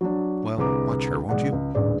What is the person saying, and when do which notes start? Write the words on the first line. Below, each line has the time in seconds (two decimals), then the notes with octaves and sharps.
Well, watch her, won't you?...
0.01 F#3 D4
0.58 C2 D3 G#4 B4 A#5 D6
1.29 B1 G#3 D5 F#5
1.52 C#2
1.75 D#1 A1 D3 G#4 D5